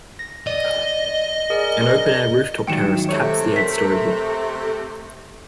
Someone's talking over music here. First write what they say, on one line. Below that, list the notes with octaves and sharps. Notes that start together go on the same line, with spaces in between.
An open-air rooftop terrace caps the eight-story block.
A#6
D5 D#5
G#4 A#4 D5
G#2 D#3 F#3 G5 C#7 E7
C3 A3 C#5
A#4 B6